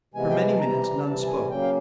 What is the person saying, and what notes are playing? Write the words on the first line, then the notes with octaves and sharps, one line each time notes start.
For many minutes none spoke.
C3 E3 G#3 B3 G#5
G5
G#5
A5
C3 E3 G3 A#5
C3 E3 G3 A5
A5
G#5
C#3 F#3 A#3 G5
F5